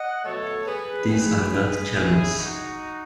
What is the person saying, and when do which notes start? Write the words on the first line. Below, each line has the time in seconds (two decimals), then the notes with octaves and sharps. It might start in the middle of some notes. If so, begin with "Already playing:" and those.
These are not camels!
Already playing: D#5 F#5
0.23 B2 F#3 A3 A4 C#5
0.66 G#4 B4
1.09 G#2 D#3 G#3 G#4 B4
1.94 C#3 G#3 E4 G#4
2.37 D#4 F#4